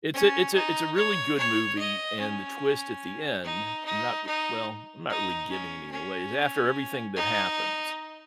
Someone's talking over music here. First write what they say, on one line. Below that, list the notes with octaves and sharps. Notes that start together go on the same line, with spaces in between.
It's a it's a it's a really good movie, and the twist at the end- I'm not r well, I'm not really giving anything away- it's after everything that happens
C#4
D#4
C#5
C#5
D#5
C#4
D#4
D#4
D#4
D#4
C#4
C#4
D#4